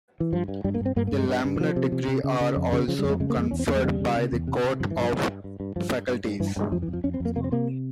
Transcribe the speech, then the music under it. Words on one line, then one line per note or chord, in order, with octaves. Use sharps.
The Lambeth degrees are also conferred by the Court of Faculties.
E3
G2 F3
G2
G2 G3
A#3
G2
C4
G2 A#3
A#3
G2
G#3
G2
G2
E3
C3 F3
C3
C3
C3
C#3
C#3
F2
C#3
C#3 F3
G3
F2
G#3
C#3 G#3
A#3
F2 G#3
E2 C#4
C4
E2 A#3
G#3
C#3 G3
C#3
C3
E2
C3
C3
G2 F3
E3
G2
F3
G2
G2
G2
G2
G2 F3
G2
G2
G2
G2 E3
G2 G#3
F2 F3
E3
F2
F3
F2 C#4
C4
F2
A#3
C3 A#3
C4
C3 A#3